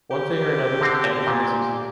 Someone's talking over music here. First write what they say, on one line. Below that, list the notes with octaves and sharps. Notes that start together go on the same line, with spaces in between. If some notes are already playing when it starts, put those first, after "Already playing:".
One thing or another, everything is useful.
G4
D3 C4
A#2